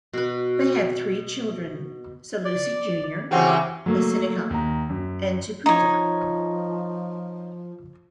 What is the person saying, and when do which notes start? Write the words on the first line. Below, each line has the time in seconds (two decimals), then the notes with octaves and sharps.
They had three children: Sailosi Junior Asenaca, and Tupoutu'a.
0.13 B2 B4
2.45 D5
3.31 C#3 E3 C4 F#4 G4
3.86 F#3 A3 A#3
4.50 D#2 A#5
4.89 F#2
5.66 F3 D#4 C#5